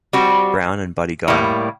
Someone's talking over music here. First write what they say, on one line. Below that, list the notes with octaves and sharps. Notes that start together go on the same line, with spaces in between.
Brown and Buddy Guy.
G3 C4 F#4
A2 G3 A#3